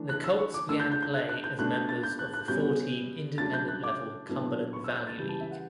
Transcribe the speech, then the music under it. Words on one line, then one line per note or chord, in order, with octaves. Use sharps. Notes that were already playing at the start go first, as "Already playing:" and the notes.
The Colts began play as members of the four–team Independent level Cumberland Valley League.
Already playing: E3 A3 D4
F#6
E6
C#6
D6
D3 A3 D4 E6
G6
G6
G6
F#6
F#6
G6
B2 A3 D4 F#6
G6
A6
G6
F#6
F#6
B2 G3 C#4 G6
C#3 F#3 A3 D4 A6
G6
F#6
D6
A2 F#3 B3 D4
C#6
E6
G6
A6
C#3 E3 G3 G6
A5
E5
F#5